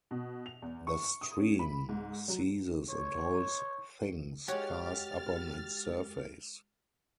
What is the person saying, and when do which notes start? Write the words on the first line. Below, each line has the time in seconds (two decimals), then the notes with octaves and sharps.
The stream seizes and holds things cast upon its surface.
0.11 B2
0.46 F7
0.62 E2
0.87 C#6
1.21 D#6
1.39 C#4
1.59 B5
1.89 G#2
2.28 F#3
2.90 C#5
4.48 G#3 F#4 G4 C#5 F6 A6